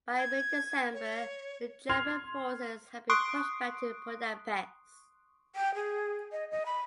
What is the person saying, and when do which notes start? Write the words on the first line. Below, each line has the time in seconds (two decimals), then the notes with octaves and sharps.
By mid-December, the German forces had been pushed back to Budapest.
0.19 G#6
0.94 C#5
1.89 C6 F6 G#6 C7 F7
3.10 C6 C#6 D#6 F#6 C7 D7
5.56 G5
5.75 G#4
6.32 D#5
6.51 D#5
6.66 B5